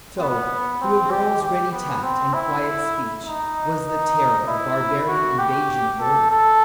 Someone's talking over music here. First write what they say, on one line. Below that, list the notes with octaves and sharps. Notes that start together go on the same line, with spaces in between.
So, through a girl's ready tact and quiet speech, was the terror of barbarian invasion averted.
B3
C4
G4
G4
B3
C4
E4
D#4
D#4
E4
F#4
G4
A4
A4